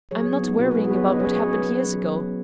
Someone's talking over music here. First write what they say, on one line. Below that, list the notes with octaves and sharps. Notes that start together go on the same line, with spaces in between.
I'm not worrying about what happened years ago.
F#3 G#4 C#5
B3
D#4
B2 F#4 B4
F#3 G#4
F#4 B4
B3 G#4 C#5
C#4 B4 D#5
G#4 C#5
F#3
G#4 C#5
C#4 F#4 B4
F#3
C#4
F#3
F#3
B3